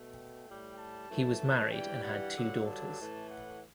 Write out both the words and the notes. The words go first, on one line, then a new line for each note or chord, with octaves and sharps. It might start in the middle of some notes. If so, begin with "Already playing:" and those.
He was married and had two daughters.
Already playing: B2 A3
G5
A2 G3
A5
F#2 E3 A3
G2 E3 G3 G5
F#5
G2 D3 F#3
A5
A2 E3 A3
F#5